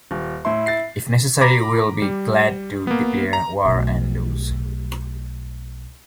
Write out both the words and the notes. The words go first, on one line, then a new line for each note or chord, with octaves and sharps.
If necessary, we will be glad to declare war and lose.
D#1
A2 E4 C6
A6 C7
A#5 B5 D6 A#6 B6
G3
A#3 B3
A#5
B1 A3